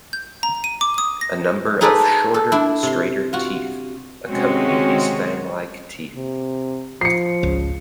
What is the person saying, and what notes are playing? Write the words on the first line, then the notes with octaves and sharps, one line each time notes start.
A number of shorter, straighter teeth accompany these fang-like teeth.
G6
A#5
D#7
D6
D#6
A#6
D#4 G#4 A4 B4 C5 D5
A4
D4 E4
C3 C6
F4 F#4
C3 D#3 G#3 C4 C#4 F#4
C3
F3 C7 C#7
G#1 C#2 C#3